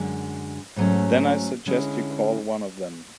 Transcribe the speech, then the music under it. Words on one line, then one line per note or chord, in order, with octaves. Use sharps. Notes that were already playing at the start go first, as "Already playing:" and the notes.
Then I suggest you call one of them.
Already playing: F#2 D3 G#3
G#2 F#3 A3 C#4
D3 G#3 C#4 E4